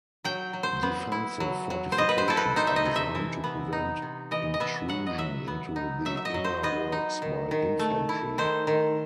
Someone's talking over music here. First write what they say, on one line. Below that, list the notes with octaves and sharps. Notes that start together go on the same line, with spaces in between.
Defensive fortifications are designed to prevent intrusion into the inner works by infantry.
F#3 G5
F#3
C5
B3
E4
F#3
F#3
C5
B3 D#5
B4
C5
E4 A4
B4
D#4 C5
E5
D#5
C3
E5
E3
B3
D#4
C3
E3 D#5
D#5
B3 E5
F#3 F#5
D#5
F#3 E5
B3
D#4
F#3 E5
E5
D#5
F#3
C5
B3 D#5
D#4
D#3
D#3
A3
E4
D#3 C5
D#3